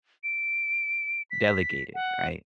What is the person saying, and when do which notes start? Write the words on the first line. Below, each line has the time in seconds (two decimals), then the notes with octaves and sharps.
delegated, right?
0.24 D7
1.31 B6
1.94 F#5